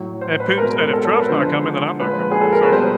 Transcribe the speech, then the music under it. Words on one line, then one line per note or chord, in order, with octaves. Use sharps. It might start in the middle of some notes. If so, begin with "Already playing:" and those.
And Putin said, "If Trump's not coming, then I'm not coming." So
Already playing: A2 F#3
C5
B4
B2 G#3 A#4
A#4
A4
A4
A#4
B4
D3 F3 G#3 C5
A#2 F3 G#3 B4
G#4
A4
A#4
B4
B2 G3 C5